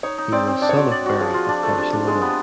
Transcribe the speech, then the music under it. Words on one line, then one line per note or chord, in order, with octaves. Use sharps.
He was son of Bera of Barcelona.
D#4 C#5
D#4
C4 D5
C4
D4 D5
C#5
F#4 D5
D5
F#4
F3 G#4
F4
D4
A3
D4 G4
D4
G#3 G#4
B3 G4